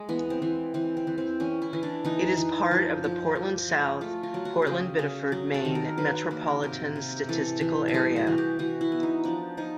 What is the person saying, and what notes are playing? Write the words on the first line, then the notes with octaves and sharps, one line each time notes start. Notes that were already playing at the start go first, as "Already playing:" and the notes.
It is part of the Portland-South Portland-Biddeford, Maine, metropolitan statistical area.
Already playing: G#3
E3 B3
C4
E3
E3 C4
C4
E3
C4
E3 C#4
E4
E3
D4
E3 D#4
E3
F3
F3
F3
G#3
A3 F4
F4
F#3
F#4
C#3 G4 G#4
C#3
F#3
A4
D#3
A#4
F#3 B4
A#3 A#4
C3 A#4
C3
E3 A4
E3
A4
G3 G#4
F#4
E3
G4
E3 F#4
E4
B3
D#4
F3 D4
F3 D#4